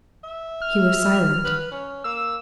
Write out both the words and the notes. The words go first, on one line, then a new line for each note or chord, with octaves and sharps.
He was silent.
E5
F6
B4
C#4
A#3 E6